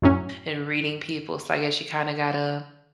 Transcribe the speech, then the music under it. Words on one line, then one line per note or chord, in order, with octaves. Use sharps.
in reading people so, I guess you kinda gotta
F#2 A2 F#3 C#4